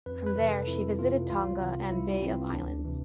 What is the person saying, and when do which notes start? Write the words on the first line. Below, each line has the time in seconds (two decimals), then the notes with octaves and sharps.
From there she visited Tonga and Bay of Islands.
0.06 F2 B4
0.27 B4
0.37 C3 E3
0.47 A4
0.68 F2 E4
0.99 C3 E3 F4
1.30 C2 F4
1.61 C3 E3
1.91 C2 E4
2.22 C3 E3 C4
2.53 D2 D4
2.84 C3 E3